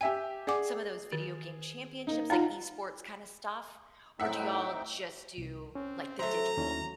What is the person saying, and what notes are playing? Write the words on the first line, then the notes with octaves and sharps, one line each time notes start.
some of those video game championships, like esports kind of stuff, or do y'all just do, like, the digital?
G4 E5 G5 G#5
G#4 D5 F#5 D6
D#3
A#3 D#4
D#4 F4 F5 F#5 A#5
A2 C4 D#4 E5 F#5 G5
C2
C4 C#4
F#3 A3 C5 E5 A#5
D#2 C#4 E4